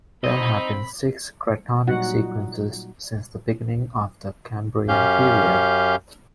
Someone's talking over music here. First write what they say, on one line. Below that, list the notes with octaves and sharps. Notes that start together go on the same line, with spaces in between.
There have been six cratonic sequences since the beginning of the Cambrian Period.
C4 D#4 D#5 B5
A#2 F#3 G3 D#4 F#4 F#5
F#2 C#4 G4 F5 G6